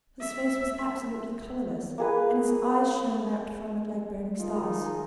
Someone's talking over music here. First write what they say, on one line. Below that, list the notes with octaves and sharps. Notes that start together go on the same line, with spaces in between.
His face was absolutely colourless, and his eyes shone out from it like burning stars.
E5
A#3 G#4 B4
D#3 D#4 F4 G#4